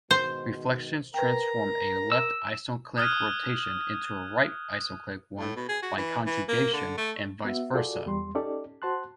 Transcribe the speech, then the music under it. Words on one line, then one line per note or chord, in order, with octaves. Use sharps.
Reflections transform a left-isoclinic rotation into a right-isoclinic one by conjugation, and vice versa.
G#2 B2 D#3 C5
A#4 B4 G5 A#5
E6
D#6 F6 F#6 G#6 D#7
A2
B2
G#4
F#4
E3
E3
A#3
D3
A3
B3 F#4 E5
F4 F#4 G#4 A4 D5
E2 G3 C6
C#4 D#4 G4 A4 D5
F#4 C5 A5 C6 F#6